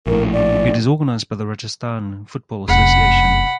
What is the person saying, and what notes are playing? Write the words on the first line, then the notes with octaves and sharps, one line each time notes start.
It is organised by the Rajasthan Football Association.
A#1 A2 A#4
D5
F1 F#2 F#5 B5